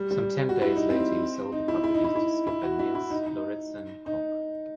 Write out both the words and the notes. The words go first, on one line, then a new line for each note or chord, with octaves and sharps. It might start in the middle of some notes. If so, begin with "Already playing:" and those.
Some ten days later he sold the property to skipper Niels Lauritzen Kock.
Already playing: G3
G3
F#4
E4
D#4
C4
D#4
E4
E4
D#4
E4
E4
E4
F#4
E4
E4
D#4
D#4
D#4